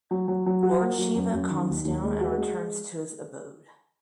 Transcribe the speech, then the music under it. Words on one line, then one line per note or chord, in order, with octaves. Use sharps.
Lord Shiva calms down and returns to his abode.
F#3
F#3
F#3
F#4
A#3
F#3
F#2
F#2
D#3
D#2
D#2
G#3
F#4
G#3